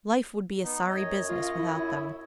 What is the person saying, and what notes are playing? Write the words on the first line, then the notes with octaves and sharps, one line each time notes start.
Life would be a sorry business without them.
B3 D#4
F#2 C#5 D#5
F4
E4